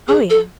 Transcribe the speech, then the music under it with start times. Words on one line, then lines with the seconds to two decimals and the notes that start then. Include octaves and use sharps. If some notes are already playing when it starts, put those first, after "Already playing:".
Oh, yeah.
0.08 G#4
0.30 A4